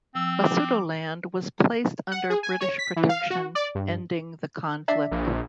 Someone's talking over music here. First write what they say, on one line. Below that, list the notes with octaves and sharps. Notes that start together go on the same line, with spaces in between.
Basutoland was placed under British protection, ending the conflict.
F3 C4 E6
D6
F#5
G#4
G#5
C#5
B6
E3
F5
F#4
D5
G2
D4 D5 E5
A#1